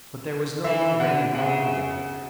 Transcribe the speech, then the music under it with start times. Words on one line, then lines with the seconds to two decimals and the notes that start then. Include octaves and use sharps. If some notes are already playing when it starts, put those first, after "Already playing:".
But there was no longer any one on the barrier.
0.64 E3 E5
1.00 D3 F#5
1.35 C#3 F#5